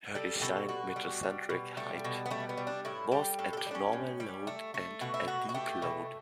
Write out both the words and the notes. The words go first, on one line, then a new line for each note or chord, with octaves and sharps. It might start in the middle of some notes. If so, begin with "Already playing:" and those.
Her designed metacentric height was at normal load and at deep load.
G3 A4
B2 A4
B2 F#4
G3
G3
B2
G3 A3
B2
B3
G3 A3
B3
G3
D4
A2 E4
G3 G4
A2 A4
A4
G4
G3 D4
C#4
A2
G3
A3
A3
B2 F#4
E4
B2 F#4
F#4
A3 G4
B2